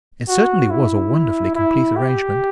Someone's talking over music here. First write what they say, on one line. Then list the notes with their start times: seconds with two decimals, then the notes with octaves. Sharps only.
It certainly was a wonderfully complete arrangement.
0.28 F#4
0.70 E4
1.55 E4
1.96 G4